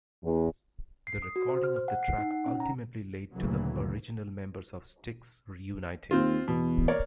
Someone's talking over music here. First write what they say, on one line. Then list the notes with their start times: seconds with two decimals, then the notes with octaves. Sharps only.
The recording of the track ultimately led to the original members of Styx reuniting.
0.24 E2
1.07 C7
1.22 D#6
1.36 F#4
1.48 C5
1.64 F6
1.76 F6
1.88 F#5
2.03 C7
2.18 D#4
2.31 F#5
2.46 C#4
2.60 A#5
3.34 D2 A#2 C#3 E3 F#3
6.11 D#2 C4 F4
6.48 E2 B2
6.88 A#3 C#5 D5